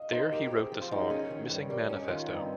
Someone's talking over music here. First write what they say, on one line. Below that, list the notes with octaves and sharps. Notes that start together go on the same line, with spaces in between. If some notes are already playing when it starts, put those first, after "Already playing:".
There he wrote the song "Missing Manifesto".
Already playing: D#5 F5
D#4 C5
G4 A#4
C4 G#4
F3
F4
D#4 G4
G#4
C#4 C5
D#3
G2 C#5
G3 A#4
C#4 C#5
D#5
D#3 F4
F4
G2 D#4
C4